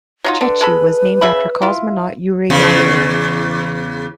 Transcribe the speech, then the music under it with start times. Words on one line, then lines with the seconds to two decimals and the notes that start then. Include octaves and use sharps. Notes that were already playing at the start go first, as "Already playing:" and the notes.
Chechi was named after cosmonaut Yuri Gagarin.
0.24 F#3 D#4 F4
0.41 D3 B4
0.61 G#3 A4 B5
1.21 C#3 E5 B5
1.62 E4 F4
2.50 E2 C#3